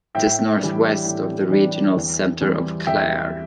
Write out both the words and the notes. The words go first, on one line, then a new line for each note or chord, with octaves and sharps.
It is north west of the regional centre of Clare.
A2 E5 G5
E3 G3 D4
A2
E3 G3 D4
E2
E3 G3 C4 E4
E2 E5 G5